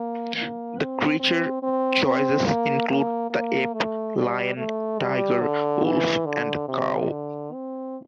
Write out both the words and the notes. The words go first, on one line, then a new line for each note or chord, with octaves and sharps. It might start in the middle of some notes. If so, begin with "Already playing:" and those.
The creature choices include the ape, lion, tiger, wolf, and cow.
Already playing: A#3
A#3
C4
C4
C4
C4
A#3
A#3
A#3
A3
G3
A3
G3
D3
E3
D3
C3
D3
C4